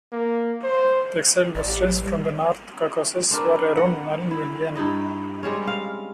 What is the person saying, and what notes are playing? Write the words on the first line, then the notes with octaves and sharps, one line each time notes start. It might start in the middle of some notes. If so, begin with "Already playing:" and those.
The exiled Muslims from the North Caucasus were around one million.
A#3
C5
A1 D5
G4
F#3
G3
C4 D4 A#4 B4
F#5
E4
G2 D#4 E4 D#5
G3 G#3 C4 C#4
F5